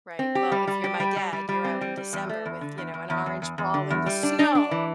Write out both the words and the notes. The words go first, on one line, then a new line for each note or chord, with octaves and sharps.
Right. Well, if you're my dad, you're out in December with, you know, an orange ball in the snow.
C4
G4
G3
G3
G4
G3
G3
G3
G3
C4
G3
G3
E2
A3
E2
D3
E2
E2
E2
E2
E2
E2
D3
E2
G3
D4
D4
D4
E3